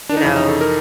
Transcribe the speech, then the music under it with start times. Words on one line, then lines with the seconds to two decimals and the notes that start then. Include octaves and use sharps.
you know,
0.09 D4
0.17 D#4
0.23 F2 C3 E3 E4
0.36 D#4
0.49 A4
0.61 A#4